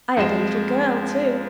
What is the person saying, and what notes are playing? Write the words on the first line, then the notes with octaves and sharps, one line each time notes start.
I had a little girl, too.
F2 G#3 E7